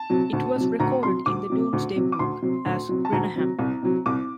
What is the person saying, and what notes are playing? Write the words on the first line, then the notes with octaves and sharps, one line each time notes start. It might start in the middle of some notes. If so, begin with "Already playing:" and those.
It was recorded in the Domesday Book as "Greneham".
Already playing: A5
C3 F#3
D2
C3 F#3
D2 A#5
C3 F#3 C6
D2 D6
C3 F#3
D2
C3 F#3
D6
D2 C6
C3 F#3
D2
C3 F#3
A5
D2 A#5
C3 F#3
C2
C3 F#3
C2 D6